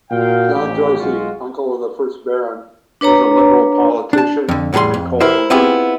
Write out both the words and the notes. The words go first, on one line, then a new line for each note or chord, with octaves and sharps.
John Joicey, uncle of the first Baron, was a Liberal politician and coal owner.
A#2 F#4 F5 G5
A1 D#2 C#3 G4
B1 G#3 F4 F#4
D4 B4 C#5 A#5
D4 A5
F2 D3
E2 A2 G3 G#4 C6
F2
E4 G4 A#4 C5 E5
B3 C4 E4 F4 G4 G#4